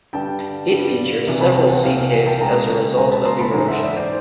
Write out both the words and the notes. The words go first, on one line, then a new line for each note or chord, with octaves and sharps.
It features several sea caves as a result of erosion.
G2 D3 G3 G5 A5
G2 D3 G3
C2 C3 E3
A5 B5
G5 A5
F#5 G#5
C2 C3 E3 F5 G5
F5 G5
F#5 G#5
G5 A5
C#2 B2 G#3 G#5 A#5
C#2 B2 G#3 G#5 A#5
A5 B5
A#5 C6
A5 B5
G#2 E3 G#3 A#5 C6
E5 F#5
D5 E5
C5 D5